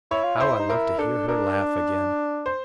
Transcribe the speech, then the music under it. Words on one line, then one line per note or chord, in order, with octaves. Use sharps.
How I loved to hear her laugh again!
E4 C#5
F4
E4 C5
D#4
E4 A#4
D4 A4
D4 A#4
C5